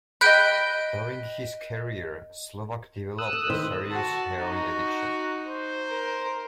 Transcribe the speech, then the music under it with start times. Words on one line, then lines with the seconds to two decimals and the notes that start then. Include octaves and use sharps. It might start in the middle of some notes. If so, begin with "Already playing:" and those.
During his career, Slovak developed a serious heroin addiction.
0.21 D#5 G5 B5 F#6 G6 D7
3.18 D#6 E6 F#6
3.33 A4
3.50 D#3 B4 C5
3.91 F#4 A5
4.41 D#4 F#4
5.47 C5
5.89 A#4